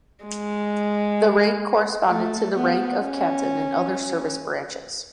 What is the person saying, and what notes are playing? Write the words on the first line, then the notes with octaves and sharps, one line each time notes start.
The rank corresponded to the rank of captain in other service branches.
G#3
A3
B3
C#4